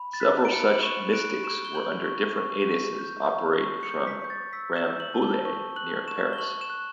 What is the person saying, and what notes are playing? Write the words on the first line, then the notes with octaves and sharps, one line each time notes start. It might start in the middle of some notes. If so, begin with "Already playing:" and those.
Several such "Mystics" under different aliases operate from Rambouillet near Paris.
Already playing: B5
A6
F#6 B6
D7
B5 C#7
F#7
C#6 E7
F#6 D7
C#6 E7
G7
G6 F#7
C#6
C#6
C#6
G6
C#6
C#6
C#7
G6
B6
C#6 G6
A6
E6 B6
E7
G6
F#7
A5
G7
C#6
F#6 F#7
C#6 E7
G7
C#6 F#7
E7
F#6